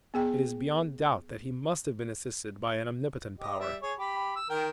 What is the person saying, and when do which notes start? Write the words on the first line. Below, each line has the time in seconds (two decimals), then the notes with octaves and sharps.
It is beyond doubt that He must have been assisted by an omnipotent power.
0.14 B3 G#4 G5
3.40 G4 D#5
3.60 G3 E5
3.82 G#4 C#5
3.99 G4 B5
4.36 E6
4.50 D#3 A#4 G5